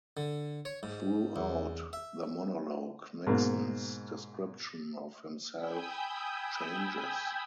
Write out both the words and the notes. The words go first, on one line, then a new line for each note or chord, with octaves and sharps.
Throughout the monologue, Nixon's description of himself changes.
D3
C#5
G#2
E2
E5
G#2 B2 A#3
G5 G#5 B5 D#6 E6 G6